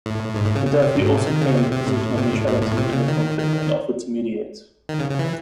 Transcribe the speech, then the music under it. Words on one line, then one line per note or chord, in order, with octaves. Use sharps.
Gaddafi also claimed a position of neutrality in the conflict and offered to mediate.
A2
G#2
A2
C#3
C#3
C3
G#2
A2
C3
D#3
C#3
C3
C3
A2
C3
A2
A2
A2
C3
C#3
D#3
D#3
D#3
C#3
C#3
E3